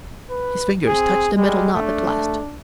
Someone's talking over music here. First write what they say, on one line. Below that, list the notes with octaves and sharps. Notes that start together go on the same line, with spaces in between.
His fingers touched the metal knob at last.
B4
C4 G#4
G3 G#3
A3 D4